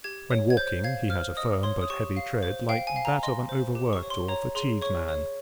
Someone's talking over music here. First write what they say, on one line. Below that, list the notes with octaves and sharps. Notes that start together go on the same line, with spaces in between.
When walking he has a firm but heavy tread, like that of an overworked or fatigued man.
G4 G#6
C#5
G#6
C5 G6
F5 G#6
C5 F6
D#5 D#6
C#5 C6
D#6
G4 C#6
F5
C5
F5 G5
G#5
F5
A#5
D#5 C6
C5
G4
C#6
C#5
C6
C#5 A#5
G#4 C6
C#5 C#6
C#5